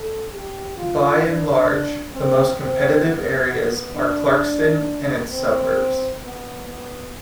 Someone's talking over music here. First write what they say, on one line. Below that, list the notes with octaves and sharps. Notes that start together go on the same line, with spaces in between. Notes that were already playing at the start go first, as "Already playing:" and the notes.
By and large, the most competitive areas are Clarkston and its suburbs.
Already playing: A4
G4
F4
D4
C4
C4
B3
B3
D4
C4
B3
B3